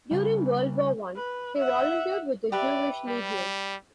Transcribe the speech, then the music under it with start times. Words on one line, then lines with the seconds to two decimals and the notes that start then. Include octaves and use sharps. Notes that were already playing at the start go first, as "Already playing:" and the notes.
During World War One, he volunteered with the Jewish Legion.
0.11 C#3 G3
1.15 B4
1.57 E5 F#5
2.52 G4 B4 D5 E5
3.08 G3